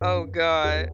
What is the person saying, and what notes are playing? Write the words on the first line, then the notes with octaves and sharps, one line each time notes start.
Oh, god.
G2
F#2
F2
E2
E2